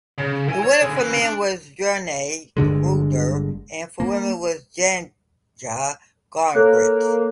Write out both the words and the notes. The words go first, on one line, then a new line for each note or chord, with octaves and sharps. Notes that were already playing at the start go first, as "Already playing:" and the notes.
The winner for men was Jernej Kruder and for women was Janja Garnbret.
C#3
E3 G#5
C#5
D3 G#4
C#4 B4
D4
G1 G2 D3 G#3
A#3
A#3 A4 C#5 F#6